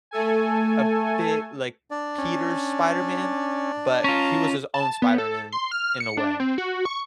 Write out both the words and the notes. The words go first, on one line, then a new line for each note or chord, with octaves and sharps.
a bit like Peter's Spider-Man, but he was his own Spider-Man in a way.
A3 A4 G#5
D4 D5
C#4
C#4 F4 A5 A#5
A5
B3
A4
C6
F6
C#7
D4
C4
F#4
C#6